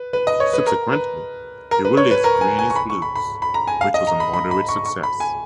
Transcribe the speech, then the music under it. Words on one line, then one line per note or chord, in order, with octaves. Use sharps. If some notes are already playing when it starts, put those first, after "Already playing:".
Subsequently, he released "Green Is Blues", which was a moderate success.
Already playing: B4
B4
D#5
C#5
B4
A#4
B4
A#4
B4
C#5
B4
A#4
G#5
G#5
C#6
B5
C#6
B5
B5
B5
A#5
G#5
F5
D#5
A#5
B5
B5
B5
C#6
C#6
B5
G#5